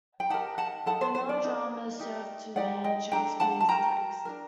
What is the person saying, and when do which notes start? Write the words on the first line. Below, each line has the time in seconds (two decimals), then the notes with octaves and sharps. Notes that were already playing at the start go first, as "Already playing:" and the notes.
The melodramas served to enhance Shakespeare's text.
0.20 G5
0.29 D#4 G4 A#4 F#5 A5
0.58 F#5 A5
0.86 D#4 A4 F#5 A5
1.01 C5
1.15 C5
1.29 D5
1.43 D#4 A4
1.99 D#4 G4 A#4
2.56 D#4 G4 A#4 D5 F#5
2.84 D#5 G5
3.12 D4 A4 G5 A#5
3.40 F#5 A5
3.60 A5
3.69 F#4 A#4 G5 A#5
4.25 D4 F#4 A#4